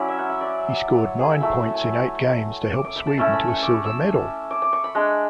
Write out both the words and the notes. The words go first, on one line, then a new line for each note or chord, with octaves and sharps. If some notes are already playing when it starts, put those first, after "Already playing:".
He scored nine points in eight games to help Sweden to a silver medal.
Already playing: F#3 C#4 E4 D5
E5
F#5
E5
D5
C#5
G#4
E5
F#3 A3 E4 B5
A5
G#5
G#5
D6
D6
B5
A5
A3 C#4 E4 A5
B5
C#6
D6
E6
D6
D6
C#6
B5
G#3 D4